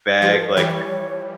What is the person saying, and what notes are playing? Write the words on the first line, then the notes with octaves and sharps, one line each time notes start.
vague, like
F3 G4
G#4
A#4
C#5
E3 G3